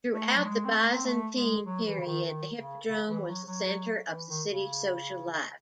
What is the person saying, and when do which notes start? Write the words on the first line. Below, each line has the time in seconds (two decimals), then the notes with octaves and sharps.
Throughout the Byzantine period, the Hippodrome was the centre of the city's social life.
0.13 A3
0.36 F#3
0.44 G#3
0.65 C4
0.75 A3
0.93 C4
1.05 A3
1.36 G#3
1.66 F#3
1.86 E3
1.98 C#3
2.06 D#3
2.26 D#3
2.57 C#3
2.87 C#3
3.08 E3
3.27 F#3
3.47 F#3
4.09 E3
4.28 D#3
4.49 C#3